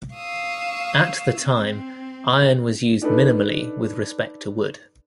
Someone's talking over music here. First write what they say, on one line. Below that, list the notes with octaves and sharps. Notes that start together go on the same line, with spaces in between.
At the time, iron was used minimally with respect to wood.
F5 C#6 D#6 E6
C4
D4 D#4 A4 B4